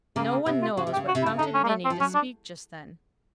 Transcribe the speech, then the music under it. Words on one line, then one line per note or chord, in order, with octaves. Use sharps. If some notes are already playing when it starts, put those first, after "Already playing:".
No one knows what prompted Minnie to speak just then.
C#3 A#3
A#3
C3 B3
F4
C#3 F#4
C3
G4
C#3
F#4
C3
E4
C#3
D3 D#4
C#4
A#3
A3
C4
F3
F#3 C#4
D4